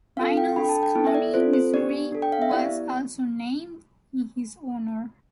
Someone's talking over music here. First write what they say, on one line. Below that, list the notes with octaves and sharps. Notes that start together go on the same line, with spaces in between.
Reynolds County, Missouri was also named in his honor.
C4 F4 A4 F5
G5
D4 A4 B5
G5
A5
G5
B3 E4 A4
E5
D5
C4 F4 A4 C5
C5
B3 D4 G4 D5
D4 A4
G5
F5
E5
B3 E4 G4 D5